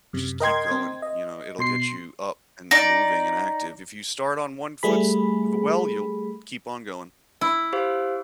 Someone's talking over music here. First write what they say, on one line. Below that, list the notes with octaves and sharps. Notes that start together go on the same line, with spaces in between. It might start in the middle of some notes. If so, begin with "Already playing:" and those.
just keep going, you know? It'll get you up and moving and active. If you start on one foot s well, you'll keep on going.
F#2 C3
A#4 D#5 G5 C6 G#6
C4
D#5
B2 C6 C7
D#4 D5 A#6
G3 A3 G#4 B5
E4
G4 C5 F5